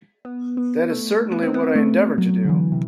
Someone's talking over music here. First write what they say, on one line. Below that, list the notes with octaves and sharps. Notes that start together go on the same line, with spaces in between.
That is certainly what I endeavour to do.
B3
B3
A3
B3
C4
B3
A3
F#3
D3
E3
C3